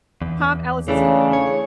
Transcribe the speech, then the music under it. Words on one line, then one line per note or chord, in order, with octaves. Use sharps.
Tom Ellis is h
E2
C#3 E3 A3 D4
C#5